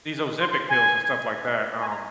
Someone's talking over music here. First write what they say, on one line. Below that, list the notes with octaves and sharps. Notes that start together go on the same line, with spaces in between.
these Ozempic pills and stuff like that, um
C6
C6
G#5
G#5
A#5